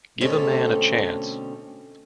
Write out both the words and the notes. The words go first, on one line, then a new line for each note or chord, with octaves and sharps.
Give a man a chance.
B2 D3 A3 C4 C#4 A4